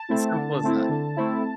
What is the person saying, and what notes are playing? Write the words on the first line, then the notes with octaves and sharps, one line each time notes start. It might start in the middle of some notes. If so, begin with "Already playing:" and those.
It's simple as that.
Already playing: A5
A3 C4 E4
D3
A3 C4 E4
D3
A3 C4 E4